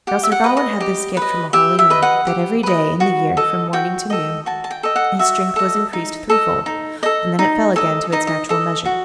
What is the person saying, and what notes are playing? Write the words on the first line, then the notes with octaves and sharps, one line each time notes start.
Now Sir Gawain had this gift from a holy man, that every day in the year, from morning to noon, his strength was increased threefold, and then it fell again to its natural measure.
G4 F#5
E5
F#5
B4 D#5
D#5
G4
B4 D#5
G4 E5
E5
B4 D#5
F#5
G4
B4 D#5
F#4
A4 D#5
F#4 G5
A4 D#5
F#4 A5
A5
G5
A4 D#5
F#5
F#4 E5
A4 D#5
D#4
A4 D#5
D#4
A4 D#5
D#4
A4 D#5
D#4 D#5
D#5
A4 D#5
F#4